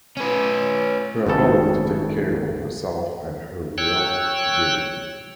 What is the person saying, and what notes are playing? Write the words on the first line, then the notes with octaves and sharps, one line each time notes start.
Her ability to take care of herself and her will to win.
C#4 B4
G#1 G2 C#3 A4
C#5 G5 E6 F#6